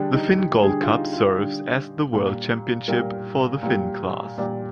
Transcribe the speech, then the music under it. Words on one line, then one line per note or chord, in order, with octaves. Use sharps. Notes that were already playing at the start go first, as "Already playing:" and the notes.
The Finn Gold Cup serves as the World Championship for the Finn class.
Already playing: D3 G3 D4 G#4
D#4
G4
D3 G3 G#4
F4
D#4
F4
D3 G3
A#2 G3
A#2 G3 A#4
A#2 G3
A#2 G3 D5